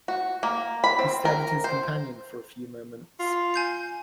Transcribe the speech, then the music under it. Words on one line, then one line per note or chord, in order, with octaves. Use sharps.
He stared at his companion for a few moments.
F#4
A#3
B5
C4
A#4
C5
F4
G#5 G6 C7